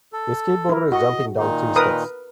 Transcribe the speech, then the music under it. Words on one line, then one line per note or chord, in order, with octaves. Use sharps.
A skateboarder is jumping down three steps.
A4
E4 A#4
F#4 D#5
A#2 D#3 D#4
A#4 B4 D#6